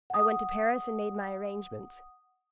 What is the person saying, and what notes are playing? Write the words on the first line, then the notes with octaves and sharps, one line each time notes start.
I went to Paris and made my arrangements.
F#5 D#6